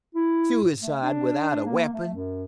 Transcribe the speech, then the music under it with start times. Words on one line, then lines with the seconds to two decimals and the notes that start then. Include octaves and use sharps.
Suicide without a weapon!
0.15 E4
0.61 G#2
0.81 A3
1.03 D4
1.65 A#3
1.93 A3
2.14 F#2